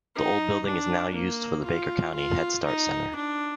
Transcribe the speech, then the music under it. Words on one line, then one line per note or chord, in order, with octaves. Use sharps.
The old building is now used for the Baker County Headstart Center.
D#4
D4
A#3
F4
F4
D#4
D4